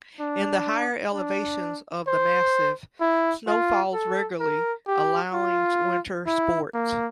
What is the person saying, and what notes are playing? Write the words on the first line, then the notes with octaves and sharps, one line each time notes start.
In the higher elevations of the massif, snow falls regularly, allowing winter sports.
D4
D4
C5
E4
F4
A4
A#4
G4
F4
E4
A#3